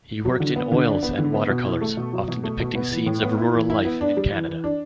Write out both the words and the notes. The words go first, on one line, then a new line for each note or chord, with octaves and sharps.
He worked in oils and watercolors, often depicting scenes of rural life in Canada.
F#3
D3
B3
D3
D4
B3
D3
B3
B2
E4
A3
B2
F#3
B2
A3
B2
B3
E3
A2
B3
E4
E3
E4
B3
D4
G3
E3
E3
D4